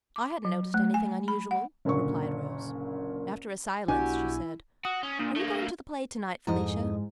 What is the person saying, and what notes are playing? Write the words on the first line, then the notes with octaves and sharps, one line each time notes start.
I hadn't noticed anything unusual," replied Rose. After a silence she said: "Are you going to the play tonight, Felicia?
D6
F#3
A3
G#5
B5
F#5
F#1 A#2 D3 C#6
B1 B2 D4 E4 F#4 G4 G#5
F#4 D#6
C#4
A#2 D4
A3 A#3
F2 G#2 E4 D#5